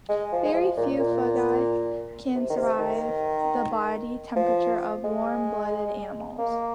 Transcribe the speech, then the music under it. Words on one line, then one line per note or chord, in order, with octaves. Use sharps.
Very few fungi can survive the body temperatures of warm-blooded animals.
G#3
F3
G#3
F3
A#2
A#2
C3
D#3
C3
D#3
F3
G#3
A#3